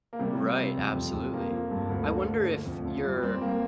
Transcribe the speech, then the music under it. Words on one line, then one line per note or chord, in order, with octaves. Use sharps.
Right, absolutely, I wonder if your
A#3
C3 G3
C3
F3
F2
F2
F2
F3 A#3
F3
G2
D2
D3
D2
F3
F2
F2
G3
G3 C4
G3 A#3